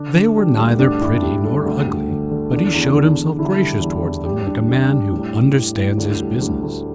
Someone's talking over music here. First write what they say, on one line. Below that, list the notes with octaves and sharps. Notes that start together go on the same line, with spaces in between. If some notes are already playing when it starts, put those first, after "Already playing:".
They were neither pretty nor ugly, but he shewed himself gracious towards them like a man who understands his business.
Already playing: D3 D4
D3
G3
D2
G2 D4
G2 E4
G3 G4
G3 A4
D2 A4
D2
D3
D3
E2 D4
E2
D3
E2
D3 E4
G3
E2
E2
G3 G4
G3 D4
G3 D4
G3
A2
A2
A2
A2
D2 D4
G3
D2
D2